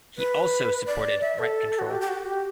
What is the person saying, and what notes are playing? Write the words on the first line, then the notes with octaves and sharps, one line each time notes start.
He also supported rent control.
B4
D5
E5
A4
F#4
G4
G4
F#4
G4